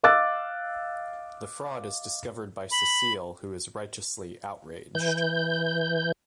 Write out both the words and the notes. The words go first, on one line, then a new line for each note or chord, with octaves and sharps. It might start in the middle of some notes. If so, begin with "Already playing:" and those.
The fraud is discovered by Cecile who is righteously outraged.
D#5 F5 D6 E6 F#6 A6
B5
E3 G6